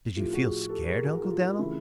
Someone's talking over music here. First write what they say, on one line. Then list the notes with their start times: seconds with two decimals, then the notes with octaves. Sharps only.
"Did you feel scared, Uncle Dan'l?"
0.16 A2 F3 A3 F4 G4
0.33 F#4 G#4
0.69 G4 A4
0.87 G#4 A#4
1.05 F#4 G#4
1.23 F4 G4
1.41 F4
1.59 C#3 E3 A3 E4